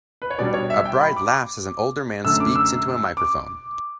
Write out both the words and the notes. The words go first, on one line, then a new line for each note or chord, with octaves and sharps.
A bride laughs as an older man speaks into a microphone.
B4
C#5
B2 G3 D4 D5
C#5
E5
G5
B5
D6
F#2 D3 A3 C#4 E6
D6
E6
D6